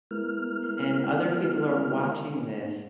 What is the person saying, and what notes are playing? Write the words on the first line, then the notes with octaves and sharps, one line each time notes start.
and other people are watching this,
G#3 B3 E4 A#4 F6